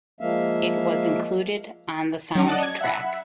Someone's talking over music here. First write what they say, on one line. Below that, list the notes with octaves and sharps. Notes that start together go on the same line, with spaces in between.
It was included on the soundtrack.
F3 G#3 A#3 E5 F5
F#3 C#4
D5 D#5 F#5 A5
G#6
E5 F#5 B5